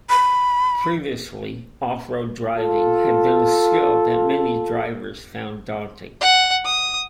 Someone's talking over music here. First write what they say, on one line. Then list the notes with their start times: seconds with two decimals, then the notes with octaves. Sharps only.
Previously, off-road driving had been a skill that many drivers found daunting.
0.10 B5
2.58 F4 A4
6.21 F#5
6.65 D#6